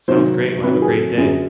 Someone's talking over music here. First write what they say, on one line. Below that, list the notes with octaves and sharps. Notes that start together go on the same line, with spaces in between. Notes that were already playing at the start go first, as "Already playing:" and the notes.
Sounds, great, well, have a great day.
C2 C3 D#3 F#3 C5
F2 C3 D#3 F#3 B4
G#4
A4
F#2 D3 F#3 G#4